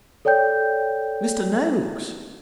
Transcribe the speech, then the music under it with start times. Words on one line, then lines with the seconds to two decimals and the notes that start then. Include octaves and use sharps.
Mr. Noaks!
0.25 A4 C#5 D5 G5 G6